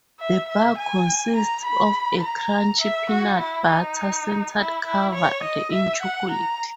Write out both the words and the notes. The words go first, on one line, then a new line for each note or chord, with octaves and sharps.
The bar consists of a crunchy peanut butter center covered in chocolate.
E5
E5
G#5
A#5
B5
A#5
E5
F#4
E4
D#4
E4
E4
C#5
D#5
E5
F#5
A#5